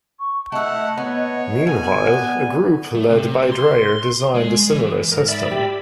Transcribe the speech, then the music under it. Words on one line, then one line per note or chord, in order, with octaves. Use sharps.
Meanwhile, a group led by Dreyer designed a similar system.
C#6
A3 E4 D#5 F#5
B3 C#5
B2 G#5
B3 D5
A3
C3
C6
G#3
E3
G#2 A#4
D5 E5 B5
G4